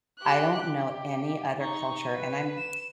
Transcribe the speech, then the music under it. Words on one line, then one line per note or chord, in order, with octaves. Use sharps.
I don't know any other culture and I'm
G4 F#6
G4
D#4 C#6
B4
E7